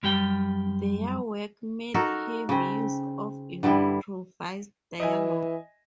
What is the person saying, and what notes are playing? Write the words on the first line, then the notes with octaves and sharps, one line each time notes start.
Their work made heavy use of improvised dialogue.
F#2 G3 G4 G5
D#4 F#4 A4 A#4
C#3 C4
G2 D3 G3 E4
E3 D#5 E5 G#5